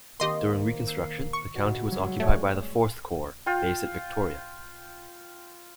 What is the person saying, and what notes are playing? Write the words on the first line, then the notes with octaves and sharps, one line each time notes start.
During Reconstruction, the county was occupied by the Fourth Corps, based at Victoria.
D#3 A#3 C4 G4 D#5 C6
E6 C7
C#6
C#2 D4 F#4
F#3 G3
A3 G#4 C#5 D5
F4 G5